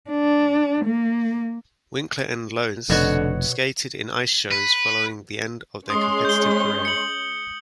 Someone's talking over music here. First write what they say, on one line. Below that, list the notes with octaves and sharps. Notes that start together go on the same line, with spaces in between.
Winkler and Lohse skated in ice shows following the end of their competitive career.
D4
A#3
F1 B2 D3 F#4 C#5
B4
G#3 C#4 C6 D#6
G6 G7
C#7 F#7